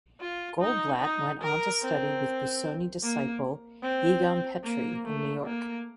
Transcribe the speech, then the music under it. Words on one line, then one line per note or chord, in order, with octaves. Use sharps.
Goldblatt went on to study with Busoni disciple Egon Petri in New York.
F4
D#4
D#4
A#4
C4
A#3
C4
A#3
A3
A#3